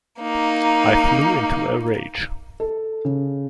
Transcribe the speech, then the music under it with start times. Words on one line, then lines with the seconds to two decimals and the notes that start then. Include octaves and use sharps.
I flew into a rage.
0.19 A#3 D#4
2.60 A4
3.05 C#3